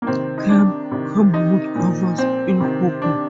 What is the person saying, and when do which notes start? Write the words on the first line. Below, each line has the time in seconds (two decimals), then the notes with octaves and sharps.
Camp Camwood covers in Hockley.
0.02 A#3
0.06 C3 D#3 C4
0.38 D#4
0.49 D4
0.91 C3 D#3
1.34 D#4
1.75 A#2 F3
2.18 C4
2.61 C3 D#3
3.02 D4